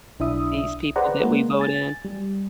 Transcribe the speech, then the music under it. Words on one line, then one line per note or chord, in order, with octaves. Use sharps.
with these people that we vote in.
B1 D4 E4 E5 D#6
G#4 B4 C5 D5 F#5 A#5
G#3 A#3
G#5 A6
G3